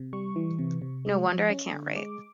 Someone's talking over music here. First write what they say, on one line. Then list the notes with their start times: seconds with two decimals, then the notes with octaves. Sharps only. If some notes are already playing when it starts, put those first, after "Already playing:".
No wonder I can't write!
Already playing: C3
0.13 G3 C#6
0.36 E3
0.59 C3
0.82 C3
1.05 G#3
1.27 F3
1.50 C#4
1.73 D3
1.96 G#3 D6